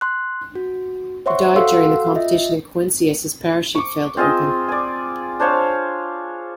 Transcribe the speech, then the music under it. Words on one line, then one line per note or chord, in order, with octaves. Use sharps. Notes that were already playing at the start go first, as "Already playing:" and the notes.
He died during the competition in Quincy as his parachute failed to open.
C6 F#6
F#4
C5 C#5 E5 F#5 C6 C#6
F#4 A4 F5 F#5 C6 E6
F4 D#5 E5
C#6 D6
C4 F4 G#4 D#5
D5 G#5
D4 C5 C#5 F5